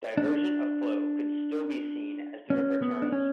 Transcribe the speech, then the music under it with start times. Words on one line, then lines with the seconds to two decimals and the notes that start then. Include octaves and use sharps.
Diversion of flow could still be seen as the river turns.
0.17 D4
2.50 C#4
2.82 B3
3.02 D4
3.12 C#4